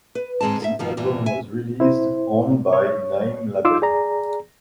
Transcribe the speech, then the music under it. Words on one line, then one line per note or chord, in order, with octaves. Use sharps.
The album was released on by Naim label.
B4
G#2 D#3 G#3 C4 A5
G#2 A4 E5
G2 B2 D#3 F3
G2 A#2 E3
E5 G#5
E4 C5
C#5
D#4 F4 C6 D6 E6
G#4 D5 A#5